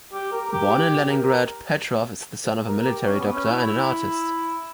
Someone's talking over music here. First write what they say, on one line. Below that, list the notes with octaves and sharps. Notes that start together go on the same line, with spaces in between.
Born in Leningrad, Petrov is the son of a military doctor and an artist.
G4
A#4
G4
A#4
A#4
G4
C#4
B3
C#4
E4
E4